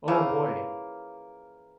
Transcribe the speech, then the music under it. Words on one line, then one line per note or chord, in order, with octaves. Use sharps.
oh, boy,
C#3 E3 F3 A#3